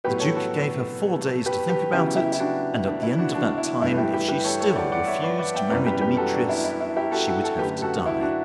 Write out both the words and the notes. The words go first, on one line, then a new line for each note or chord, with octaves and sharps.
The Duke gave her four days to think about it, and, at the end of that time, if she still refused to marry Demetrius, she would have to die.
A2 F#3 B3 G4 B4
A4 C#5
F#4 A4
G4 B4
G4 B4
C#3 F#3 B3 E4 G4
E4 G4
E4
D4 F#4
D4
E4
D4 F#4
D4 F#4
E4
G2 E3 A3 E4
E4 G4
G4 B4
G4 B4
A4 C#5
A4 C#5
D5 F#5
D5 F#5
C#5 E5
B4 D5
D5 F#5
E5 G5
F#2 E3 G3 B3 B4 D5
G4 B4
G4 B4
F#4 A4
D4
E4
E4
E4
E4 G4
F#4 A4
F#4 A4
F#4 A4
F#2 D3 A3 G4 B4
F#4 A4
E4
D4 F#4